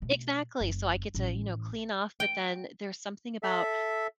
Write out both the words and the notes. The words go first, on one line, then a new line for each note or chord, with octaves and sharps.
Exactly, so I get to, you know, clean off, but then there's something about
B2 A3
F#1
A1 C#4
G5
A4 E5